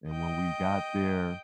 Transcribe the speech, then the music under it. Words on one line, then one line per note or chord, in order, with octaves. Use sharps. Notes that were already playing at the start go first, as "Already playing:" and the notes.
And when we got there,
D#5 G5